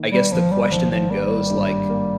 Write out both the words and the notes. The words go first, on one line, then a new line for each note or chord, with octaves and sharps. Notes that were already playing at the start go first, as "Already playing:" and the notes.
I guess the question then goes, like,
Already playing: D#3 A#3
G3
G#1 F3
G3
G#1 F3
F3
G3 A#3
G2
A#3